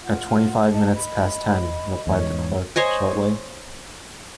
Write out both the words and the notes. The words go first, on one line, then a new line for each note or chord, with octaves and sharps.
"At twenty-five minutes past ten," replied the clerk shortly.
F4 F#5
D#5 A5
B5
E2 G#2 C#5
C5 C#5 D#5 G#5